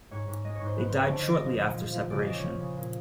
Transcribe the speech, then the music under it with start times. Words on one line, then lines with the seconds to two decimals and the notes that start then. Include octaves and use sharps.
They died shortly after separation.
0.11 G#2 C#5
0.28 G#2
0.44 G#3 D#5
0.55 C#5
0.61 G#2
0.66 C5
0.77 F3 B4
0.89 C5
0.94 A3
1.00 C#5
1.10 D3 D5
1.22 D#5
1.27 F3 D5
1.33 D#5
1.44 F3
1.60 A#2
1.77 F3
1.94 F3
2.10 C#3 D5
2.19 D#5
2.27 C#3 D5
2.35 C#5
2.43 F3
2.60 C#3
2.77 A#2